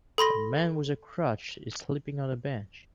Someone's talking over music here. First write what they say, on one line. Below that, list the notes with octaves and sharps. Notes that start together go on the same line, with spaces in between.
A man with a crutch is sleeping on a bench.
A4 B5 C6 A#6